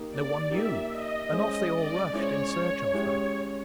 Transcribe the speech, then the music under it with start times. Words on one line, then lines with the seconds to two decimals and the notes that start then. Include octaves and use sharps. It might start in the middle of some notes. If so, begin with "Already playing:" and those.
No one knew, and off they all rushed in search of her.
Already playing: A#3 D#4 G4
0.09 D5
0.50 A#3 D#4 G4 E5
0.91 D#5
1.31 G#3 C#4 E4 G#4 C5 D#5
1.71 D5
2.13 G#3 C#4 E4 G#4 C5 C#5
2.93 G#3 C#4 E4 G4